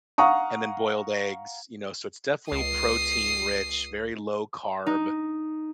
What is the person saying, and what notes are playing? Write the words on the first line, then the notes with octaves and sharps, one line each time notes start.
and then boiled eggs, you know, so it's definitely protein-rich, very low-carb,
F5 F#5 A#5 C#6 D#6
C#2 D#6 C7
D#4